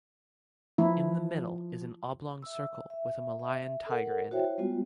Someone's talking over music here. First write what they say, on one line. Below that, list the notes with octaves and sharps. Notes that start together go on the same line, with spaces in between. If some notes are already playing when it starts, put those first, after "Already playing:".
In the middle is an oblong circle with a Malayan tiger in it.
F3 E4
E5 E6
E5
E5
A4 A#4 F#5
E4 F#4 C5 C#5 E5 G5
G3 G#3 B3 F4 F#4